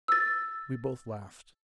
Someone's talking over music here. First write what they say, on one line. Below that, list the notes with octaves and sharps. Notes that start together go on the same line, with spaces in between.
We both laughed.
E6 A6